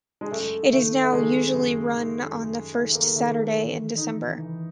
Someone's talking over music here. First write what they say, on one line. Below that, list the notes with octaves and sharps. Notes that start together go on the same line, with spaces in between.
It is now usually run on the first Saturday in December.
G#3
F#2 A3
D#3 A3
A3
D#3 G#3
F#2
D#3
F#2
D#3 A3
A3
A#3
D#3 A3
A#3
A3
E3 A3
E3 D#4
E3